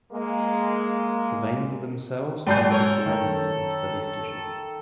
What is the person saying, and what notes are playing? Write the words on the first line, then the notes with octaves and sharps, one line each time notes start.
The veins themselves tend to blend into the leaf tissue.
G#3 A#3
G#2 F#3 A5 G6
A4 A#4 C#5
D#3